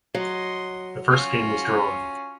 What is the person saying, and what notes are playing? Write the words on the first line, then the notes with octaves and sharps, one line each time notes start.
The first game was drawn.
F#3 D#5 C6
C#4 F4 F#4